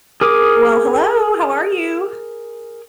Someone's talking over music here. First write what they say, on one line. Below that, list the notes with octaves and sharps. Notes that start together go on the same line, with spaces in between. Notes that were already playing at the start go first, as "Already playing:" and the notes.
Well, hello. How are you?
G#4 A#4 D6 D#6